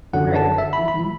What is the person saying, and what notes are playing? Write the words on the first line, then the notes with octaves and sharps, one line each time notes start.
Right. Mhm.
F#2 D3 F#3 F#5
A5
E5
B5
B5